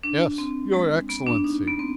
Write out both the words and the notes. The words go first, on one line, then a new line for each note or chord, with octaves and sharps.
"Yes, your Excellency."
D4
C4
G#3
B3
D4
D#4
B3
C4